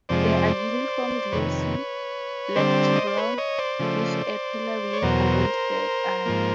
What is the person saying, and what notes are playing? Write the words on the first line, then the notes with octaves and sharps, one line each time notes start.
They are uniform glossy black to brown, with a paler ring around the eye.
F2 C3 F3 G#3 C5 D5
F2 C3 D#3 B4 C#5
D3 G3 C4 C5 D5
D#5
D5
B4 C#5
C#5 D#5
C5 D5
C#3 F3 A3
C#5
E2 B2 F#3 A#4 C5
G#2 F3 A#3